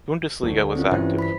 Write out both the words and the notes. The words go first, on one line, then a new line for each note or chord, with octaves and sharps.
Bundesliga was active.
D2
C4 C#4 F4
G2 E3 C5
B5 B6